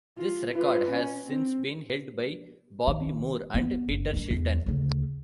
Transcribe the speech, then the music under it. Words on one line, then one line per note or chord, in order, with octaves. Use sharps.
This record has since been held by Bobby Moore and Peter Shilton.
F4
F4 B4
C#4
C4
D#3
B3 C4
F#1
G3 D4
E2
D2 C#3